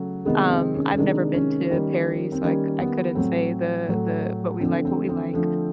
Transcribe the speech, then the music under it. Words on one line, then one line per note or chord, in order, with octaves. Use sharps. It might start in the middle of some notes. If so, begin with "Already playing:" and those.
Um, I've never been to Paris, so I I couldn't say the the but, we like what we like
Already playing: C#3 F#3 A3
C3 D#3 G#3 B3
C4
C#4
C#4
C3 D#3 G#3 D4
C#4
D#3 G3 A#3
C4
D#3 G3 A#3 C#4
B3
A2 F#3 A3 C4
A2 F#3 A3
D3 F3 A3 C4
C4
C4
D3 F3 A3